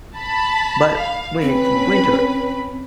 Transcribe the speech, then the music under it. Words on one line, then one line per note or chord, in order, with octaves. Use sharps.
but, when it's winter,
A5 B5
F5
C4 C#4 B4 B5